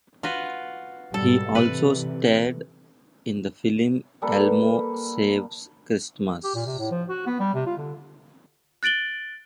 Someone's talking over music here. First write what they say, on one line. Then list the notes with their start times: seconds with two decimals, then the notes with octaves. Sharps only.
He also starred in the film "Elmo Saves Christmas".
0.23 F4 F#4 B4
1.14 G#2 B2 G3 A4
1.55 C3 E3 B4 D5
4.22 G3 A#3 A4 B4
6.44 G4
6.55 A#2
6.66 C3
6.78 A2
6.91 F3
7.09 F#4
7.27 B3
7.40 G3
7.54 C3
7.66 F4
7.78 D3
8.83 F#6 A6 D7 F#7 G7